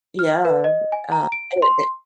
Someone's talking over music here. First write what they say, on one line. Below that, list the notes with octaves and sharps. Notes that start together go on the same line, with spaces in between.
yeah, uh, it it
F6
B4
D#5
G#5
A#5
D7
C6